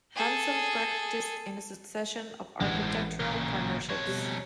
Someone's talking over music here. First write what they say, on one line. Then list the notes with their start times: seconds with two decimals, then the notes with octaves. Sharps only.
Hansom practised in a succession of architectural partnerships.
0.15 G#4 A4
2.60 A1 A2 G#3 F#5
3.20 A#2 C#3
3.89 F2 C#5
4.06 B2 G3